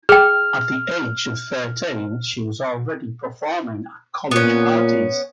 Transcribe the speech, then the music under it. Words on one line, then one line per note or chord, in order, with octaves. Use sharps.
At the age of thirteen, she was already performing at college parties.
G#4 G5 F6
A#2 B3 C#4